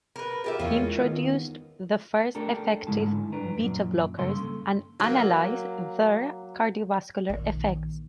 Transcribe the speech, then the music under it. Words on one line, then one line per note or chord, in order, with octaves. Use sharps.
Introduced the first effective beta blockers and analysed their cardiovascular effects.
A#4 B4
F4 G4 G#4 A#4 E5 F5
E2 C#4 E4 F4 A#4 D#5
G#3
D#3 B3
A3 D4 G4 A4 A#4
G#2 D3 G#3 E4 A5
G2 D4 B4 A#5
F#2 A#2
G2 C#3 A#3 A4 C6
F#3 A#3
A#1 D#3